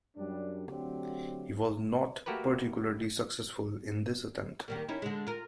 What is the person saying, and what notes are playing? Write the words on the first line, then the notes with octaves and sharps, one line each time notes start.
He was not particularly successful in this attempt.
F#2 G3 D4
D3 F#3 A3 C4 F#4 G4
A3 A#3 F#4 G4 A#4 B4
D#3 G3 A#3
C#4 D#4 E4
D3 G#3
F4 A#4